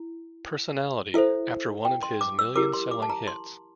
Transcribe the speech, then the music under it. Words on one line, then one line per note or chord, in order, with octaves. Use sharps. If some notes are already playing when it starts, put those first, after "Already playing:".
Personality, after one of his million-selling hits.
Already playing: E4
E4 A4 C5 E5
G5
C6
D6
E6
E4 G4 A#4 D6
C6
D6
A5
A#5
C6